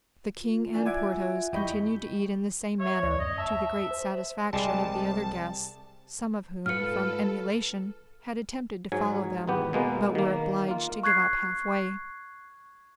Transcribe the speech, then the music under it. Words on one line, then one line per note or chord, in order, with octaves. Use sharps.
The king and Porthos continued to eat in the same manner, to the great satisfaction of the other guests, some of whom, from emulation, had attempted to follow them, but were obliged to give up half-way.
F4
E3 D4 G#5
E5 F#5 G#5 D6 G#6 D7
F2 E4 G4 D#5 B5 C#6 G6
C#5 E5
D2 D5
F#2 D#5
E5 A5
C5
C2 G3 G#3 G4 A5
G#2 F4 A4 B4 F6 C#7
G#2 F#3 G#5
G#1 E2 B3 G4
B2 G#3 A#3 B3
D#3 A#3
A#3 F4
C#6 F#6 G#6 C7